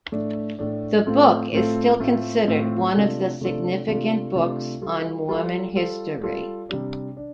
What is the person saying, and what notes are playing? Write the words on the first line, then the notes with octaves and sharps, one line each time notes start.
The book is still considered one of the significant books on Mormon history.
A2 A3 D4
A2 A3 D4
A2 A3 C4 F4 A4
A2 A3 C4 F4 A4
A2 A3 C4 F4 A4
A2 A3 C4 F4 A4
C3 A3 D4 F4 A4
C3 A3 D4 F4 A4
C3 A3 D4 F4 A4
C3 A3 D4 F4 A4
G3 F4 A4
G3 F4 A4
G3 F4 A4
G3 F4 A4
C3 G3 D4
D4